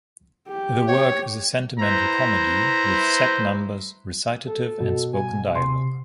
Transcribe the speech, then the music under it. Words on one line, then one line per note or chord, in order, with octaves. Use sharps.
The work is a sentimental comedy with set numbers, recitative and spoken dialog.
G4
C#5
E4 B4 C5 A#5
A4
B2
G#5
C3 C6